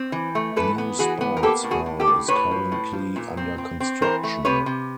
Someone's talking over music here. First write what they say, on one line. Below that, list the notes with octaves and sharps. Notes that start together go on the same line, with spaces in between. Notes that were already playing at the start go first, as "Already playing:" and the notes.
New sports hall is currently under construction.
Already playing: C4
E3
A3
E3 A4 B4
B3
E3 F#4 G#4
B3
A#4
A#3 G4 A4
A2
F#4 G#4
A2
G4 A4
A2
A2 B4 C#5
F3
A2
F3
A#2
C4
C4
C4
E3 A#4 C5
A3
C3 B4 C#5
C3